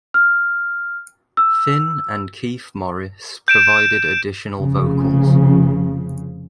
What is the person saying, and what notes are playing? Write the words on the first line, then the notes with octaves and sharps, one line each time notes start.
Finn and Keith Morris provided additional vocals.
F6
E6
G6 D7 E7
F1 C#3 F3